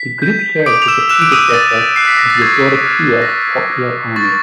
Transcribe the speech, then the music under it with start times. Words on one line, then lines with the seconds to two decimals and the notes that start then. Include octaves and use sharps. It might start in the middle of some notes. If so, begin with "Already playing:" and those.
The group served as the predecessor of the Boricua Popular Army.
Already playing: B6
0.22 G6
0.66 D6 D#6 D7
0.82 F7
0.88 E6 E7
1.09 E6 F#6 E7
1.22 D7
1.32 D#6 D#7
1.54 D#6 A6
1.96 F#6 C7
2.07 B6
2.18 A#6
2.30 A6
2.42 C#6 G#6
2.85 F6
3.22 A#6
3.29 C#6 A6
3.73 F6
4.16 C#6 A6